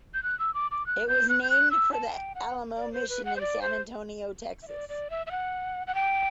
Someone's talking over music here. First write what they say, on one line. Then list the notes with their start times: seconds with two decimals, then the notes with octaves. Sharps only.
It was named for the Alamo Mission in San Antonio, Texas.
0.14 G6
0.23 F#6
0.39 E6
0.54 D6
0.71 D6
0.87 F#6
1.08 G6
1.29 F#6
1.43 G6
1.50 F#6
1.71 E6
1.93 A5
2.14 G5
2.35 F#5
2.77 D5
2.93 C5
3.09 B4
3.25 F#5
3.36 C5
3.41 D5
3.62 C5
4.63 E5
4.68 D5
4.89 D5
5.10 E5
5.26 E5
5.31 F#5
5.87 F#5
5.95 G5